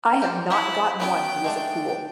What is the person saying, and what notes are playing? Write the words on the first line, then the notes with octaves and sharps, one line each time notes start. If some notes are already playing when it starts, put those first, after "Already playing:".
I have not got one who is a fool.
G4 A4 C5
E4 C5 C#5 F5
F#3 B3 C#4 G5
G#3 A3 D4